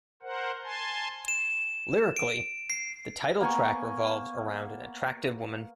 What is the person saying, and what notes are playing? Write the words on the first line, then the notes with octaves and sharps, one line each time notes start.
Lyrically, the title track revolves around an attractive woman.
A#4 C5 F#5
G#5 A5 C6
E7
D7
C7
A#3 B3 G#5 C#6